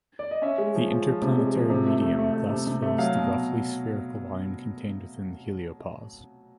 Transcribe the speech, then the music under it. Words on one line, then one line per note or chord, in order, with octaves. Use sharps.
The interplanetary medium thus fills the roughly spherical volume contained within the heliopause.
D5
D#5
C#4 E5
G#3
F3
F3
F3
C3
G#3
F3
C3
A3
A3
A3
A3
C3
C3
A3
F#3 F5
B2